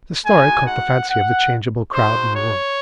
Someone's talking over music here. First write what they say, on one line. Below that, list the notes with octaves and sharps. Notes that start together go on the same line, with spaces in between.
The story caught the fancy of the changeable crowd in the room.
G#3 D#4 F#4 G#5
F#5
F#5
G#3 D#4 F#4 C5
C#5